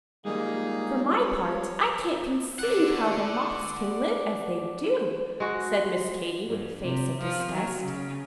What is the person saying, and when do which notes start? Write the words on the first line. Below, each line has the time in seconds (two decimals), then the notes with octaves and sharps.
"For my part, I can't conceive how the Moths can live as they do," said Miss Katy, with a face of disgust.
0.25 F3 G3 G#3 A#3 D#4 G#4
1.20 C#5
2.59 D5 F#5
5.40 G#3 F#4
6.48 G2
6.81 C3
7.21 F3
7.51 F#3
7.82 C#3